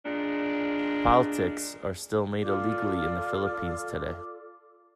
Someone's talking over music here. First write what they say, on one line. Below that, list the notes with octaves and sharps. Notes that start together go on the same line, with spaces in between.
"Paltiks" are still made illegally in the Philippines today.
A#2 G#3 D4
F4 A4 D5 D6